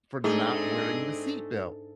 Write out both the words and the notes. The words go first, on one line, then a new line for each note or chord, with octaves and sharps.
for not wearing the seat belt.
G#2 A3 C4 D4 D#4 G#4 D#5